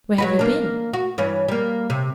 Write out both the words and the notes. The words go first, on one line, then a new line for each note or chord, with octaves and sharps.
Where have you been?'
F#3 F#4 B4
A#3 D4
F#4
G2 E3 C#4
G3 A#3
C3